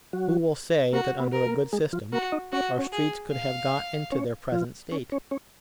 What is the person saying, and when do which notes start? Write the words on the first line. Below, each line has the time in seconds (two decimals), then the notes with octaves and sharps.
Who will say that under a good system, our streets could have got into their present state?
0.13 F#3 F#4
0.93 A#3 F#4 A#4
1.20 B3 B4
1.33 A#4
1.46 A#3 A#4
1.73 G#3 G#4
1.93 F3 F4
2.12 A#3 F#4 A#4
2.32 D#4 D#5
2.52 C#4 F#4 C#5
2.79 C#4 C#5
2.92 G#4
3.32 F5
4.12 C#4 C#5
4.52 F3 F4
4.92 C#4 C#5
5.12 C#4 C#5
5.31 C#4 C#5